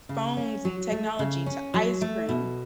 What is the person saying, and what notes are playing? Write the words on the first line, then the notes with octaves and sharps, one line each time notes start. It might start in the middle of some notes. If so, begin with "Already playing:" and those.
phones and technology to ice cream.
C#3
C#4
F#3
A3
C#3
C#4
F#3
A3
B2